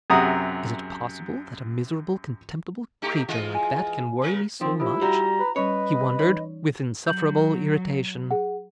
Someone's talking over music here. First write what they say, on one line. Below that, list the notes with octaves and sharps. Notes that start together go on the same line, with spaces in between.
"Is it possible that a miserable, contemptible creature like that can worry me so much?" he wondered, with insufferable irritation.
F#2 C3 G#4 F#5 A#5 D#6
A3 D#4 G4
E3 G#3 F4
G#5
C#3 A#4
F3 C4 D#4 A#4
E4 F4 G4 C5
G3 F#4 A#5
B4
G3 C#4 B4 C#5 D#5
E3 D#4 C#5 B5
F#3 G6 F#7
G#4 F#5